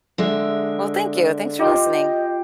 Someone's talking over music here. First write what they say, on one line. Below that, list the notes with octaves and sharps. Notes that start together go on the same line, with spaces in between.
Well, thank you. Thanks for listening.
D3 G#3 E5
F4 G4 D#5